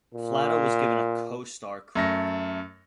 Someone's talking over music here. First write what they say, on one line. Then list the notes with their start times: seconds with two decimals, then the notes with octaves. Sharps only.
Flatow was given a co-star credit.
0.14 A#2
1.95 F#2 A3 A#6